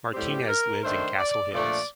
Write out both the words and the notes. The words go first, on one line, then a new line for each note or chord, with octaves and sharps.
Martinez lives in Castle Hills.
A2 G3 C4 G4
A#4
D#3 A3 D4 C5
D5
A#2 F3 A3 D4 D5